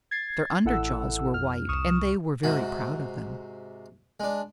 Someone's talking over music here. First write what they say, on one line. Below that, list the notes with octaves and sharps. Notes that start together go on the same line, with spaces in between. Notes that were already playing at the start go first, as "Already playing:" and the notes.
Their under jaws were white, and they were very proud of them.
G#6 A6 C7
A1 E4 A4 F#5 E6
F2 F6
C2 C#6 D#6 F6 E7
G#2 C3 F#4
G#3 D4